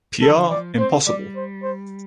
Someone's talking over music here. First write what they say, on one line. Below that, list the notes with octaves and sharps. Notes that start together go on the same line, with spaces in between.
Pyaar Impossible!
D3 A4
F3
D3
F3 D5
C4 C5
G3 D5
C5
C5